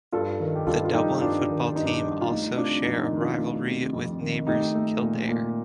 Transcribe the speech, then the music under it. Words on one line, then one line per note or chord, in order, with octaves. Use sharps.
The Dublin football team also share a rivalry with neighbours Kildare.
G2 F4 A4
D#3
G4
G2 F4 A4
F4
G3 D#4 G4
G2 D4 F4
D#3
G2 D#4
D4
D#4
G3
F4
A3 D#4
C3 D4 F4
F2 D#4
D#4
D#3
D4 F4
A3
C3
F2
D#3
A3 D#4 G4
A3
A#2
A#2